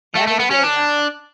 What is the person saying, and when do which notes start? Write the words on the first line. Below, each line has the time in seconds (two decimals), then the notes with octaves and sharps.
any day now.
0.15 A3
0.27 A3
0.40 B3
0.51 C#4
0.63 D4